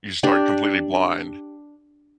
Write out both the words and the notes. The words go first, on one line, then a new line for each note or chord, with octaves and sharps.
you start completely blind
D4 G4